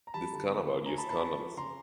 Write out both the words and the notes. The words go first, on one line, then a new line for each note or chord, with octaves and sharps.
This Carnaval, use condoms.
A#5
G3 A5 B5
D3
B3
D3
A3 G#5 A#5
A5 B5
E4
A5 B5
C4
F3
C#3 A#5 C6